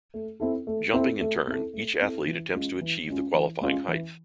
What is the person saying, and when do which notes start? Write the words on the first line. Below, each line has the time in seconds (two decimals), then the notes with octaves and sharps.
Jumping in turn, each athlete attempts to achieve the qualifying height.
0.14 A3
0.40 C4 E4 A4
0.67 A3
0.93 C4 E4 A4
1.21 A3
1.47 C4 E4 A4
1.73 A3
2.01 C4 E4 A4
2.27 E3
2.54 G#3 C#4 F4
2.81 E3
3.07 G#3 C#4 F4
3.34 E3
3.61 G#3 C#4 F4
3.88 E3